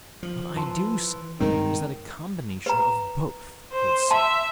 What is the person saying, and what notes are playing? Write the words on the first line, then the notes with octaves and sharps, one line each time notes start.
What I do say is that a combination of both would suit me.
F3
E3 A5 C6
G2 D#3 G#3 C4 A#4
B4 A#5
C5
E5 A5 C6